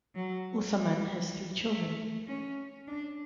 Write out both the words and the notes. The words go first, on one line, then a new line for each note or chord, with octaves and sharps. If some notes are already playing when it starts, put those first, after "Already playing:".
Uthaman has three children.
F#3
G3
A3
C#4
D4